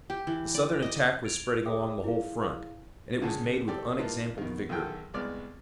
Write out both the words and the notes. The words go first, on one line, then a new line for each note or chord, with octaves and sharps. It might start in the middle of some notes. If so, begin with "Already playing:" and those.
The Southern attack was spreading along the whole front, and it was made with unexampled vigor.
G4
E3
D5
D#5
G#6 A6 D7 F7
G#4 C5 E5 G5 D6 D#6
E4 G#4 F5
C#2 D3 C#4 G#4 A5
C4 G4 A4 D5
A#3 D#4 F4 B4 A5
B2 D#3
B1 D#3 E3 G#4 A4 G5
C2 G#3 B3 D5 D6 F6